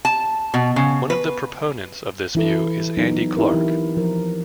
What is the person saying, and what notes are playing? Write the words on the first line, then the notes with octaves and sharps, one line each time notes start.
One of the proponents of this view is Andy Clark.
A5
B2
C#3
B4
E3 E4 A4
F#3 B3 D#4
C4 D#4 E4 G4 A#4
E3 E4
F3 A#4